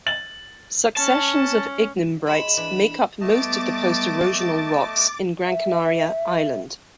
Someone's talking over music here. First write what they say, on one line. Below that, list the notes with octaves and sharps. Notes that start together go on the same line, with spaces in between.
Successions of ignimbrites make up most of the post-erosional rocks in Gran Canaria Island.
A6 F#7
C#4 A5
G#3 B5 E7
E3 D4
G3 A3 B3 D#5 A5 D6 A6
E5